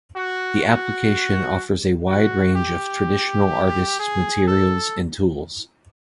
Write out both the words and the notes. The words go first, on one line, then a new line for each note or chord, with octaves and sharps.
The application offers a wide range of traditional artists' materials and tools.
F#4
F#4
F#4
G4
G#4
A4